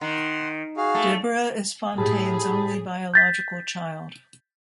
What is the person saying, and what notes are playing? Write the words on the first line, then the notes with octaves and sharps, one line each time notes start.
Deborah is Fontaine's only biological child.
D#3 F#5 C6
F#4 G#4 F5
A3
A2 G4 G#4 A5 B5
G6 A6 B6